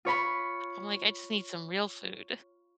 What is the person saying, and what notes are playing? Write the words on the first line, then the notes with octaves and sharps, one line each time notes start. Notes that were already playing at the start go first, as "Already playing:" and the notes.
I'm like, "I just need some real food."
F4 C#5 B5